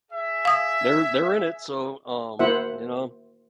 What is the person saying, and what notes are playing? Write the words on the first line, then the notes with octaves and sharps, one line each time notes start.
they're they're in it. So, um, you know?
G#4 E5
F5 D#6
A#3 E4 F#4 C5 E5 F#5